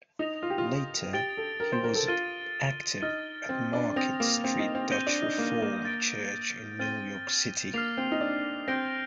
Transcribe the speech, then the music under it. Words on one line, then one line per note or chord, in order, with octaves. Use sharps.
Later, he was active at Market Street Dutch Reform Church in New York City.
D#4 D#6 A#6 F7
F4
G4
F4
G4 A6 D7 G7
A4
A#4
C5
A#4
A4
F4 A6 D#7 G7
D#4 F6 A6 D#7 G7
C4
D4
C4 D#6 A#6 F7
A#3
C4
D#4
C4
C4 G6 A#6 D#7 G7
D4
D#4
A#3
A#3
A6 D7 G7
C4 F6 A6 D#7 G7
A#3 F6 C7 F7
C4
D#4
D4
C4 G6 A#6 D7 G7